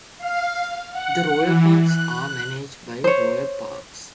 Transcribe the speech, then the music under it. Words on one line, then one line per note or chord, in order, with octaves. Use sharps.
The Royal Parks are managed by Royal Parks.
F5
F#5
E3
F#6
C5 C#5